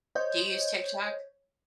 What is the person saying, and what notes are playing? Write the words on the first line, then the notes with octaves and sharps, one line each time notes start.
Do you use TikTok?
C5 C#5 D#5 G6